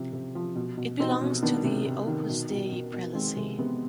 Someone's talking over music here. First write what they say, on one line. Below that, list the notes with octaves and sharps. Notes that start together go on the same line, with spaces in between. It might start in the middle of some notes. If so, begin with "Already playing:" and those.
It belongs to the Opus Dei prelacy.
Already playing: C3 F3
C3
F3
B2
B2
B2 C4 D#4
B2
D#3 B3 D4
C3
C3
D#3
B2
B2
B2
B2
D#3 G#3 C4
C3 G#3
C3 B3